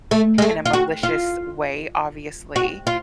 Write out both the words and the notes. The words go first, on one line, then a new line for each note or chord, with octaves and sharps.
in a malicious way, obviously."
A3
G#3
A3
F4
F#4
F4
F#4
F4